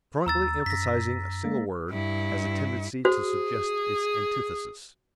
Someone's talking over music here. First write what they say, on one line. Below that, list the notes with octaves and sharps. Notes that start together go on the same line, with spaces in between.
Strongly emphasizing a single word has a tendency to suggest its antithesis.
D#2 A#5 E6 A6
F#2 A#6 B6
G#3 A#3
G2 E4
F#4 G#4 C5